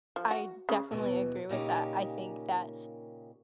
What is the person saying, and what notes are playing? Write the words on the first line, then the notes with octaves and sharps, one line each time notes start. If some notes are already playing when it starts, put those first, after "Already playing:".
I definitely agree with that, I think that,
F3
F#4
C#3
D#2 B2 E3
A#2 C#3 A#3 C#4 D#4 G4